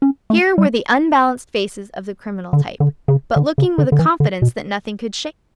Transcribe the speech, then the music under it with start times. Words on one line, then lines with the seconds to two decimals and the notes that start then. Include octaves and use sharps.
Here were the unbalanced faces of the criminal type, but looking with a confidence that nothing could shake.
0.02 C#4
0.30 A3
0.58 G3
2.53 D3
2.80 D3
3.08 C#3
3.36 D3
3.58 C#3
3.78 D3
3.92 D3
3.99 E3
4.20 D3
4.42 B2